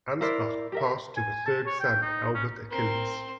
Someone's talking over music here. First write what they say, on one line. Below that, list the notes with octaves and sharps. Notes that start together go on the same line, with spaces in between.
Ansbach passed to the third son Albert Achilles.
E4 A#4 C5 D5
G4 A#4 E5
G#5
A5
C#5
G5
D#4
C#4
C4 A#4 C6